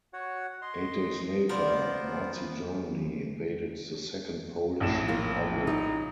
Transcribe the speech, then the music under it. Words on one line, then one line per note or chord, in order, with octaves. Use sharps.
Eight days later, Nazi Germany invaded the Second Polish Republic.
F#4 C#5 F#5
D#5 C6
B3 F4 A#4 C5 D5
A#1 A2 E7
A#3 F4 A#4
D#4